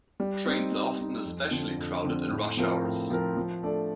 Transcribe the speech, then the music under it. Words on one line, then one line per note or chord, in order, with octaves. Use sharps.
Trains are often especially crowded in rush hours.
G3
C4 D#4
G3
C4 D#4
F2
D3 F3 C4
F2
D3 F3 C4
A2
F3 C4 F4 A#4
A2
F3 C4 F4 A#4
F3
A3 D4 A4 D5